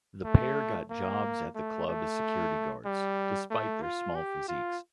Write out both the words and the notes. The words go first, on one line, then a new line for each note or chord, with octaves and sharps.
The pair got jobs at the club as security guards, despite their small physiques.
A3
A#3
A3
A3
G3
A3
F4
G4
F4